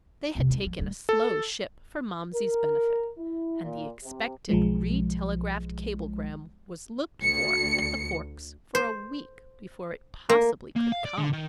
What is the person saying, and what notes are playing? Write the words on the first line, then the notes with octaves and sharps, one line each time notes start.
They had taken a slow ship for Momsey's benefit and the expected re-telegraphed cablegram was looked for at the Forks for a week before it possibly could come.
F2 C3
C2 D4
F3
D1 G3
A4
A#4
E4
A#2
C3
B1 F3 G#3
D2 C#7
C5
A#3
A#3
F5
D5
D3
D#3